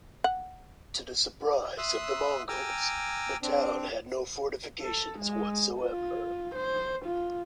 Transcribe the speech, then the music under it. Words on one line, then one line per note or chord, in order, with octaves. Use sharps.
To the surprise of the Mongols, the town had no fortifications whatsoever.
F#5
E5 C6 D#6 E6 F#6
G5 G#5 A#5 D6 E6 F6
C4 D4
A4
G#3
F4
C5
F4